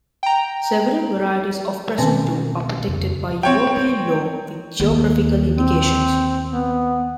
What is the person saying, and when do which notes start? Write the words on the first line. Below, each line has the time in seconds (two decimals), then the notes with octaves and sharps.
Several varieties of "presunto" are protected by European law with geographical indications.
0.23 G5 A#5
1.98 B2 D#3 C4 C#4
2.88 D#1 F2 C#3
3.43 C4 C#5 G5
4.80 D#2
5.56 C4
6.50 B3